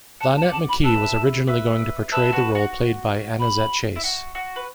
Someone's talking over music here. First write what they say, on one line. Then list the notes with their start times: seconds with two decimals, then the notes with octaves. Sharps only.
Lonette McKee was originally going to portray the role played by Annazette Chase.
0.21 F#5 A5
0.36 A5
0.42 D5 F#5
0.52 A5
0.69 B5
0.84 B4 E5 A5
1.48 B4 E5
2.12 B4 E5 A5
2.33 F#4 B4
2.55 F#4
3.39 B5
3.96 E4
4.04 F#4
4.35 F#4
4.56 B4